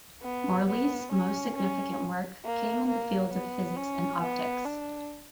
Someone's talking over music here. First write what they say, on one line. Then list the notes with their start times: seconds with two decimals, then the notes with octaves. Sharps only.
Morley's most-significant work came in the field of physics and optics.
0.23 B3
0.67 B3
1.12 C#4
1.56 C#4
2.45 A#3
2.88 A#3
3.33 B3
3.77 C#4
4.22 B3
4.65 D4